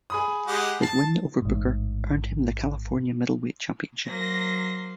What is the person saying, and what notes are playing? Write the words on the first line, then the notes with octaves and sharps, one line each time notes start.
His win over Booker earned him the California Middleweight Championship.
G#4 B5 D#6
G#3 G4 F#5
A5 C7
A1 G#2
F#3 A#3 C5 A#6